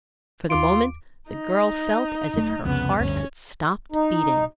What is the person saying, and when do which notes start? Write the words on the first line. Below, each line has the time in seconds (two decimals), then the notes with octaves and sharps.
For the moment the girl felt as if her heart had stopped beating.
0.50 D#2 F4 D6 D7
1.30 D#4
2.33 F#1 A3
2.65 C2 F2 C#3 B3
2.99 F1 D2 G2 C#4
3.92 D#4